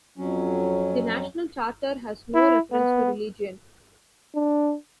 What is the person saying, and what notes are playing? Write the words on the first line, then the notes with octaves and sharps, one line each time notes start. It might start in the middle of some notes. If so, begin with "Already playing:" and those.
The National Charter has no reference to religion.
F2 F#3 C#4
E4
B3
D4